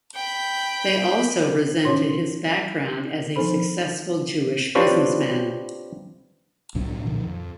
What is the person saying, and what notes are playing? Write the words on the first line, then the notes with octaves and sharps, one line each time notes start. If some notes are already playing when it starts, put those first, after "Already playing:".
They also resented his background as a successful Jewish businessman.
G5 B5
D#3 C#4 D#4 F#4 C#5 C6
F3 C4 D#4 A4 C5 B5
C4 D4 F4 G4 B4 C#5
C2 A2 F#3 D4
A#2 D3 D#3 F3
F2